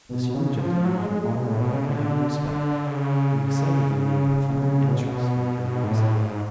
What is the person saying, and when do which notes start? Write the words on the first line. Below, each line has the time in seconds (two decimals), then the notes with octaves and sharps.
This young gentleman was remarkable in every respect, and excited in me a profound interest and curiosity.
0.09 B2
0.34 C#3
0.60 F3
0.85 F#3
0.98 G#3
1.10 G#3
1.23 G#3
1.35 B2
1.48 A2
1.61 B2
1.73 C#3
1.86 D3
2.86 C#3
4.89 B2
5.84 G#2
5.89 A2
6.14 G#2